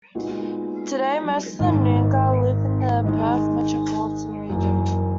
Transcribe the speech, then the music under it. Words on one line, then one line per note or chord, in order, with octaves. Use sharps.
Today, most of the Noongar live in the Perth Metropolitan Region.
A#2 G#3 B3 D#4 F#4
G#1 G#2 D#3 A#3
G#2 D#3 G#3 D#4
F#1 F#2 E3 A#3